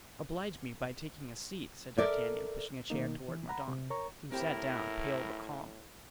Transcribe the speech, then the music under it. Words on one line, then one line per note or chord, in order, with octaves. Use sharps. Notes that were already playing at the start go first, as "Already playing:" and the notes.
"Oblige me by taking a seat," said D'Artagnan, pushing a chair toward Mordaunt, who sat down, pale but calm.
A4 A#4 D5 E5
B2 D#3 A#3 D#4
E3
F#5 A#5 B5
C3
A#4 C#5 A#5 C#6
A2 C4 E4 G4 A#4 G5